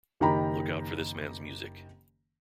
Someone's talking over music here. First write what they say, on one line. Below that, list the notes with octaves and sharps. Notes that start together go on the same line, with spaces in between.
Look out for this man's music'.
F#1 D#3 G4 G5 A#5 B5